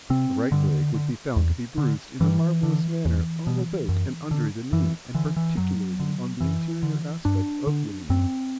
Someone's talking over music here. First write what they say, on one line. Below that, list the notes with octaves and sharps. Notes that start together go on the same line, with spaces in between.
The right leg would be found to be bruised in a marvellous manner all about and under the knee, and particularly on the interior aspect of the knee.
C3 C4
G2 D3
D3
E2
D3
G2 E3
D3
E2
B2
F#2
D3
F#2 E3
D3 E3
E3
F#2 F#3
D3
F#2 E3
D3
G2 D4
D3
F#2 C4